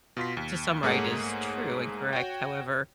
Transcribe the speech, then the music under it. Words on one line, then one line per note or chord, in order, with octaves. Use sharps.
to some right is true and correct, however,
B2 F4 C6 B6
D#2
G#2 A3 A#3 G#4 C#5 F#5
F#4 C#5 G5